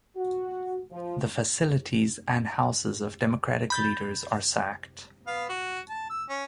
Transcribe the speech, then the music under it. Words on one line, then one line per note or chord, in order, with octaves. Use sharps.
The facilities and houses of Democratic leaders are sacked.
F#4
F3
B5 G6 A6
B3 F5
F#4
A5
E6
C#4